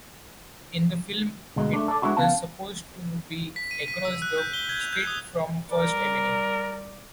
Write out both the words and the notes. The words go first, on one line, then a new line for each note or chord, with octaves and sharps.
In the film, it is supposed to be across the street from First Avenue.
D2 B2 G#3
A3 D4
A4 D5
G#3 B3 D4 E4 F#4
C#3 B3 B4 F5 A5
B6
D#7
B6
E6
F#6
G6
G7
G#6
F7
G6
D#6
G3 A#4 D5